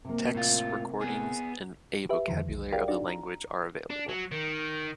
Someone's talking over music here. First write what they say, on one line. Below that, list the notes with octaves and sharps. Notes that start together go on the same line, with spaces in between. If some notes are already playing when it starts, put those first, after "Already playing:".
Texts, recordings, and a vocabulary of the language are available.
C3 A#3
A2 F4
B3 G#4
G4 B4 E5
F2 D3 D#3 F3
B1
G4 G#4 A#4 D5 F5 G5
D4 D#4 F#4 D5
A#5
D4
F#3
D#3